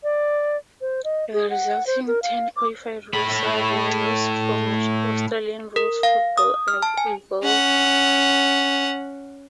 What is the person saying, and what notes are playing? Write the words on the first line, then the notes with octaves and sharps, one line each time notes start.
The resulting ten codified rules are the laws from which Australian rules football evolved.
D5
C5
D#5
G#4
F#5
C5
A#4
F5
D6
A2 B5
A#4
F5
D#6
F6
A5
G#5
C#4 F#5